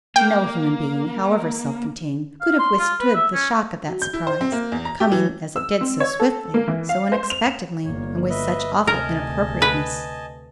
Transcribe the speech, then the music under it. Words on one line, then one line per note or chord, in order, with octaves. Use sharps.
No human being, however self-contained, could have withstood the shock of that surprise; coming as it did so swiftly, so unexpectedly, and with such awful inappropriateness.
A#3 G5
F5
C6
F4
B4
E5
C#4
F#3
G6
E4
C5
C4
A#3
E2
A#5
G4
E3
E6
C4
C#5
A4
A#3
E3
F5
C5
F7
E7
G1 A#3 C#5
B4 D#5 E5
D2 C3 A#4 D#5 G#5 A5
B4